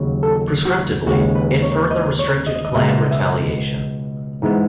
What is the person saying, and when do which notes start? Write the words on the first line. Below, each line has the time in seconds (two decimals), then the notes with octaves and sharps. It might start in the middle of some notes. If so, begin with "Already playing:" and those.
Proscriptively, it further restricted clan retaliation.
Already playing: D#2 C#3 F#3
0.23 A4
0.65 F#4
1.07 D#2 C#3 G#3 B3 F#4
1.35 B4
1.62 C#5
1.91 D#5
2.19 C#5
2.47 D#5
2.65 D#5
2.75 C#2 B2 G#3 B3 E5
3.02 D#5
3.11 E5
3.20 D#5
4.42 G#2 E3 G#3 B3